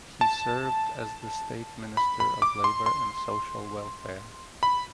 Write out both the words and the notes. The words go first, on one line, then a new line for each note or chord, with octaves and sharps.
He served as the State Minister of Labor and Social Welfare.
A5
B5
B5
D6
C6
C6
B5